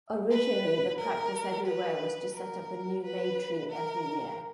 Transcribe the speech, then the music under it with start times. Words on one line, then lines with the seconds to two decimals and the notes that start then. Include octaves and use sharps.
Originally the practice everywhere was to set up a new May-tree every year.
0.30 B4
0.99 A#4
1.66 B4
2.35 A#4
3.02 B4
3.70 A#4